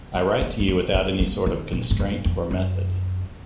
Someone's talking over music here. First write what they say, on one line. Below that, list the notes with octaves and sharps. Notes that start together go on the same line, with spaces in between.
I write to you without any sort of constraint or method.
B3
A#3
A#3
B3
B3
A#3
D#3
A#2
G#2
F#2
F2
F#2